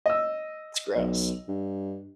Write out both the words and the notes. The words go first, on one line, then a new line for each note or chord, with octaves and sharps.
it's gross.
D#5 E6
B1
G2